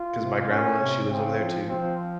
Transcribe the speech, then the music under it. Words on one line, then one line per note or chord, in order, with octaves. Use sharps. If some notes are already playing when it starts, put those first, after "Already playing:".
'cause my grandma, she lives over there too,
Already playing: F4
C3
A#2 C#4
C3
C#3 C4
F3
F3 C4